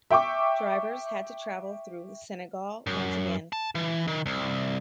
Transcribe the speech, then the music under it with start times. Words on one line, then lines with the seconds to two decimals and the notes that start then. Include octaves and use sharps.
Drivers had to travel through Senegal once again.
0.11 E5 G5 C#6 D6
2.87 F#2
3.53 A5
3.75 E3
4.08 D#3
4.26 C2